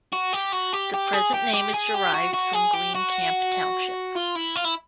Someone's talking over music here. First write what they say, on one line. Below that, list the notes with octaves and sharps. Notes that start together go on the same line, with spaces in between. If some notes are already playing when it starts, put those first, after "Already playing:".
The present name is derived from Green Camp Township.
F#4
G4
F#4
G4
G4
G#4
G4
G4
G#4
G4
F#4
F#4
G#4
G4
F#4
F4
E4
F4
E4